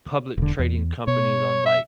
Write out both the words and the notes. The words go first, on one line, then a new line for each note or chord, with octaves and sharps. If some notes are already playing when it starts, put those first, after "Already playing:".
public trading companies on, like,
E1 D3
E2
B2 C#5
E5